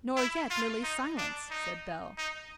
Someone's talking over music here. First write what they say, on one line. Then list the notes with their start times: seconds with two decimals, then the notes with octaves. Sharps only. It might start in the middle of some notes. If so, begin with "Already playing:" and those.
"Nor yet Lily's silence," said Bell.
0.17 E4
0.50 F4
0.83 D#4
1.18 D4
1.50 D#4
2.18 D#4